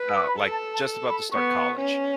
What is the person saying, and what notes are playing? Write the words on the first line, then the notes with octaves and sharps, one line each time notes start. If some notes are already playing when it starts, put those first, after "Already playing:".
uh, like, just about to start college,
Already playing: B4
D6
C#6
B5
A4
A5
A5
B5
B3 C#6
C#4